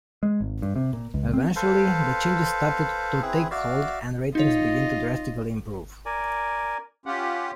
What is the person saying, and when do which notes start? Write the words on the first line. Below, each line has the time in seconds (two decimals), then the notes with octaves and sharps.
Eventually, the changes started to take hold and ratings began to drastically improve.
0.23 G#3
0.41 G#1
0.62 G2
0.76 C3
0.93 A#2
1.14 C#2
1.33 C4
1.56 A4 B4 C5 F5
3.22 C4 E4 G#4 B4
3.51 F#4 D5 E5 F5
4.35 D#4 F4 C#5 D#5
6.06 A#4 D5 G#5
7.06 C#4 F4 G4 F#5